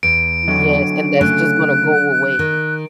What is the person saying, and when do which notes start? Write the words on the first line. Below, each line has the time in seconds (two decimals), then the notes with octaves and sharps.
Yes, and that's just gonna go away.
0.03 E2 D7
0.48 D3 F#3 D#5
1.21 C#3 A3 C#4 F#6
2.39 D#3